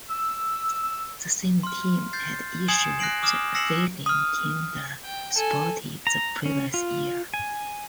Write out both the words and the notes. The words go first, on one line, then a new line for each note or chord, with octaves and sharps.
The same team had issued "Feelin' Kinda Sporty" the previous year.
E6
C6 F6
G6 A6 C7
G#5 D#6 G#6 C7 C#7 E7
F#6 A#6 C7 D7 F#7
D6 D#6 F6 E7
E6 A#6 C7 C#7 E7 F#7
D#6 F6
G5
A4 G#5
A#5
C#4
F4
G#5